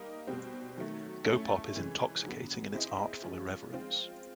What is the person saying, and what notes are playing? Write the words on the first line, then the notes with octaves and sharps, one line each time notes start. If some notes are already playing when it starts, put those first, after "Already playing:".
Go Pop is intoxicating in its artful irreverence.
Already playing: G3 A#3 D#4
B2 G3 C4
D#3 F#3 A3
A3 C#4 E4 A4
C3 E3 G#3 C#4
D3 F#3 B3
C4 E4 G#4 C5 D#5
F3 G#3 C#4
G#3 C4 F4